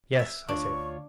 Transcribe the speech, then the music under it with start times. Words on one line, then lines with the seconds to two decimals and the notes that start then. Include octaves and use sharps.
"Yes," I said.
0.19 E5
0.49 D2 D4 F4 C#5 C#6